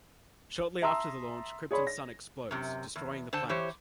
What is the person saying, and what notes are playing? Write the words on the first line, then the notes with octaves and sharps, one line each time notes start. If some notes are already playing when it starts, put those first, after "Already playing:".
Shortly after the launch, Krypton's sun explodes, destroying the planet.
E5 A5 A#5 C6 D#6 E6
G#4 C#5 D5 B5 C6
A#6
F#2 C3
E2
D3 C5 A5
E3 G4 C5 C#5